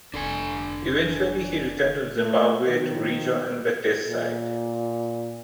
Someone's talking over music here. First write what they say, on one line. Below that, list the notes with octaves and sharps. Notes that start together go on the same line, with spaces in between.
Eventually he returned to Zimbabwe to re-join the Test side.
F1 D4 A4 G#5
A3
B2 D#3 F3
A#2